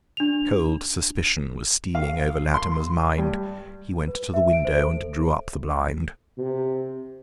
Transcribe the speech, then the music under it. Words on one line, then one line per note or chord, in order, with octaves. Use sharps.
A cold suspicion was stealing over Latimer’s mind; he went to the window and drew up the blind.
D4 F7
F5
C6
G2
B4
E5
D7
C5
A4
C3